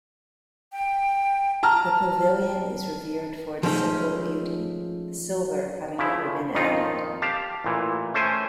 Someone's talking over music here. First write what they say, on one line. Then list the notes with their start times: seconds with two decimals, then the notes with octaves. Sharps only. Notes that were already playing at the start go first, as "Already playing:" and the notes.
The Pavilion is revered for its simple beauty, the silver having never been added.
0.72 G5
1.63 A5 A#5 F6
3.63 F3 G#3 A3 C#4 D#4
5.98 C#3 F3 E4
6.55 A#1 F2 D#3 D#4 F4
7.22 G4 F5 A5
7.64 A1 A#2 E3
8.14 A3 C#4 C5 G5 G#5